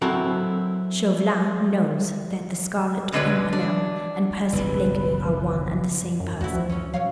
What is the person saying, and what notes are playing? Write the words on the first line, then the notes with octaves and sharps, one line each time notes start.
Chauvelin knows that the Scarlet Pimpernel and Percy Blakeney are one and the same person.
F#3 C4 E4 F#4 A4 A#4
B2 D3 G#3 D4 B4 C#5
D4
F#1 B1 G3 B4
F#2
D2 E4 F#4
F3
C#4 C#5
B2 F#3 C#5 F5